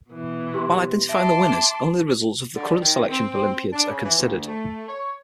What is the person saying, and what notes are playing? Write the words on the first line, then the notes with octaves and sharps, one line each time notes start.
While identifying the winners, only the results of the current selection olympiads are considered.
B2 E3
G4 C6
E5 A5 C6 D6
D3
D#3
C4
D4
C#3
E3
D2
A3
C#5